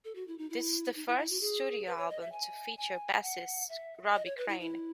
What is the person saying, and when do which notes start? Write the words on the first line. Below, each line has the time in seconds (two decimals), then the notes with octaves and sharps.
This is the first studio album to feature bassist Robbie Crane.
0.05 A4
0.15 F#4
0.27 E4
0.38 D#4
0.50 E4
0.96 D#4
1.07 E4
1.18 E4
1.30 F#4
1.41 G#4
1.86 B4
1.98 C#5
2.09 D#5
2.21 E5
2.32 G#5
2.77 G#5
3.14 G#5
3.23 F#5
3.69 E5
4.15 D#5
4.25 C#5
4.37 B4
4.48 E4
4.60 E4